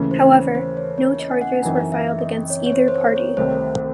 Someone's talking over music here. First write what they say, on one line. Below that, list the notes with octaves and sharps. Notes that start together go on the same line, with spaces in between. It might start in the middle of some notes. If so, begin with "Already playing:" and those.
However, no charges were filed against either party.
Already playing: D#2 C#3 E3 A3 C#4
C5
C#5
C5
C#5
C#5
D#5
G#5
F#5
F#2 E3 C4 D#4 G#5
E5
D#5
C#5
C#5
C5
C5
C#5
C#5
C2 C3 D#3 A3 C5